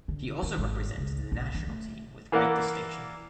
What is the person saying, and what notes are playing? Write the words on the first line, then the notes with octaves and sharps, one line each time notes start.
He also represented the national team with great distinction.
D3
D#3
G#1
C#2
A#1
E3
A3
E3 A#3 D5 F#5